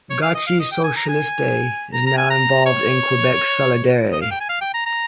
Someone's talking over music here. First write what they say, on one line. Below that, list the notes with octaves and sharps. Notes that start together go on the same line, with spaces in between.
Gauche Socialiste is now involved in Quebec Solidaire.
C#5
F5
D#5
F5
D#5
G5
G#5
A#5
G#5
A#5
A#5
G#5
A#5
C#5
D#5
F5
G5
G#5
F5
G5
A#5
A#5